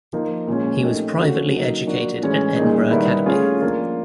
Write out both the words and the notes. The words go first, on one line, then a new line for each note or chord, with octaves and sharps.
He was privately educated at Edinburgh Academy.
F3 A#3 D#4
A#2 F3 G#3 C#4
A3 C4 D#4 G4 A#4
D3 F3 A3 C#4 F#4
F#3 A#3 D#4
F3 A#3 D4 F#4
A2 E3 G#3 C#4
A#2 G3 A#3 D#4 G#4
D#3 G3 B3 E4
A3 C#4 F4 G#4
F3 A#3 D4 F4